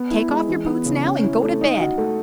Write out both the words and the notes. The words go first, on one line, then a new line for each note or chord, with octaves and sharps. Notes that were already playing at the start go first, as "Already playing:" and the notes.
Take off your boots now and go to bed.
Already playing: B3
E4
G#3
E3
B3
C#3
C#4
E4
A3
D#4
F#4
A3